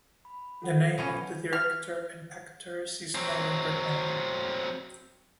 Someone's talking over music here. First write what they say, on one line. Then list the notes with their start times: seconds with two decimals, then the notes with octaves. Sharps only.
The name of the director and actors is no longer known.
0.25 B5
0.62 F4 A4 F#5
0.98 B2 E3 C#4
1.53 F6
3.15 F#3 C4